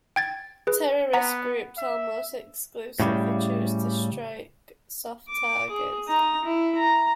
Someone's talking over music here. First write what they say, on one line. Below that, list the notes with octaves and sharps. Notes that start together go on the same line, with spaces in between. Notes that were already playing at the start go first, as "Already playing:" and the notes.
Terrorist groups almost exclusively choose to strike soft targets.
G5 G#6 A6
G#4 B4
B3 F#5 A#5 B6
E5
A2 C#3 G3
D6
G#4
D#4 A#5
E4
A#5